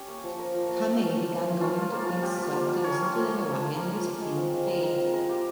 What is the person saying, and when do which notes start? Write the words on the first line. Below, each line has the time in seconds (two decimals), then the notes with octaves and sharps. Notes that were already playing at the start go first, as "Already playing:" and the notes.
Kamae began going to Queen's Surf to listen to the Hawaiian music being played.
Already playing: C#4 G4 C#5
0.08 A#3
0.24 F3
0.38 C#4 A#4
0.54 F3
0.69 A#3
0.85 F3
1.00 C#4
1.15 F3
1.31 A#3
1.45 F3
1.61 C#4 F4
1.76 F3
1.92 A#3
2.07 F4
2.22 C#4 G4
2.38 F3
2.53 A#3
2.69 F4
2.83 C#4 C#5
2.99 F3
3.14 A#3
3.30 F4
3.45 C#4
3.60 F3
3.75 A#3
3.91 F4
4.06 F4
4.21 G#3
4.37 C4
4.52 G#3
4.67 F4 A#4
4.83 G#3 A#4
4.98 C4 A#4
5.13 G#3 A#4
5.29 F4 G4